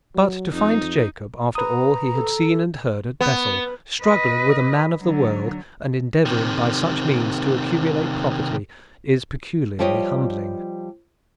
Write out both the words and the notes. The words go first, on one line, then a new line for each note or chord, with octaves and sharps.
But to find Jacob, after all he had seen and heard at Bethel, struggling with a man of the world, and endeavoring by such means to accumulate property, is peculiarly humbling.
F#3
F2 D#4
B4 A#5 D#6
A4
B3
B4 D#5
D3 F#3
C3 D#3
F3 G3 G4 C#5 D#5